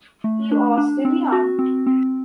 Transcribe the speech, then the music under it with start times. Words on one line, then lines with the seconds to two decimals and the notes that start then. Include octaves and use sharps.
You are still young.
0.24 A3
0.51 D4
0.78 D4
1.05 C4
1.32 F#4
1.59 C4
1.86 C4